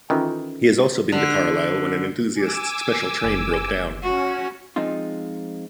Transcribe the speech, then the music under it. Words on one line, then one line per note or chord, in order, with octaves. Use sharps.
He has also been to Carlisle when an enthusiasts' special train broke down.
D#3 E3 C#4 F4 A4
D3
G#5 D6 E6
F#1
C#4 F#4
F3 G#3 C4 D#4 F4